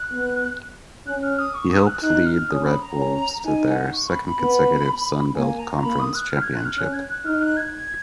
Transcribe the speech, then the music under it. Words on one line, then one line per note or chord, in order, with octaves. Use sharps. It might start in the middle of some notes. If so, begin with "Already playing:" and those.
He helped lead the Red Wolves to their second consecutive Sun Belt Conference championship.
Already playing: F#6
B3
C#4 F#6
F6
D#6
C#6
D#6
F#6
D#4 F#6
F6
C#4 D#6
B5
A#5
C#4
D#4 G#5
F#5
C#6
B5
B5
B3
A#3 G#5
A#5
A#3 B5
D#6
F#6
F6
G#6
F#6
F6
C#4 F#6
G#6
F#6
D#4 F6
F#6
G#6